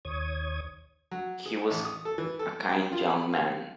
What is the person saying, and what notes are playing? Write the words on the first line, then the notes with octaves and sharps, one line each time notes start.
He was a kind young man.
D#2 C#5 D#6 G#6
F#3
G#4
A1
D#6
A4
E3
A4
G5
F4
B5
F5